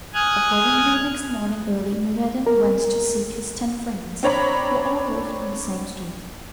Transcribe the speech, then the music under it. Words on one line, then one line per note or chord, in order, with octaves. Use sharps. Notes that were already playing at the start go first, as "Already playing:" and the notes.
Accordingly next morning early Noureddin went to seek his ten friends, who all lived in the same street.
G#5 D#6 F6 F#6 G#6
A#4
C4 D4 C#5 A#5 B5